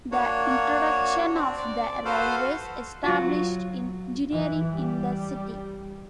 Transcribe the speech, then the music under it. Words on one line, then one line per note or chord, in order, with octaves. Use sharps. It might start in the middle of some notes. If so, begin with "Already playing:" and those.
The introduction of the railways established engineering in the city.
A#3 D4 F#4 C#5
C4 D4
D5
F#4 A4 B4 C5 F5
F#3 F4 F#4
E3
G3